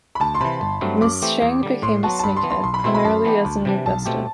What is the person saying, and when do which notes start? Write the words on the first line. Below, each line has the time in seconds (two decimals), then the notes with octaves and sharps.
Ms. Cheng became a snakehead, primarily as an investor.
0.15 B5
0.20 D2 A5
0.35 C6
0.41 C3 E3 B5
0.61 G1
0.81 G2 F#3 A3 C4
1.01 F#2 D6
1.22 E3 A3 C4 G4
1.42 E2
1.63 D3 G3
1.82 A2 C6
2.03 F#3 B3 F#4 A5
2.19 A5
2.23 G2 B5
2.37 C6
2.43 E3 B3
2.50 C6
2.64 B1 C6
2.74 B5
2.84 B2 A3 C4 E4 C6
2.94 B5
3.05 F#2 A5
3.25 E3 B3 D4 G4
3.45 D2
3.65 C3 E3 G3 D4
3.86 B1 A5
4.06 B2 A3 C4 G4